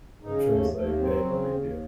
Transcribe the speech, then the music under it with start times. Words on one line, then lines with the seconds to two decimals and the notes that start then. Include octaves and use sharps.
I'm sure he's like, "It ain't no big deal."
0.22 C#3 D#4
0.48 D#2 A3
0.73 D#2 A3
0.99 F#3 C4
1.25 C#3
1.51 D#2